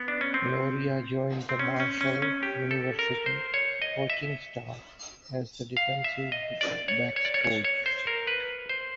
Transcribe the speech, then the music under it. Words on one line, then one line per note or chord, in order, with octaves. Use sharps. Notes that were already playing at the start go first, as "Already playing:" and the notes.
Loria joined the Marshall University coaching staff as the defensive backs coach.
Already playing: B3
D4
C#4
C4
C4
C#4
C#4
C#4
C#4
G4
A4
A#4
C5
C#5
D#5
E5
F5
E5
D#5
D5
C#5
C#5
D5
C#5
C#5
C#5
C5
A#4
B4
C5